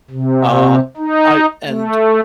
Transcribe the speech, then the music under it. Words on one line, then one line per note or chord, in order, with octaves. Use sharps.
Um, I and
C3
D#4
A3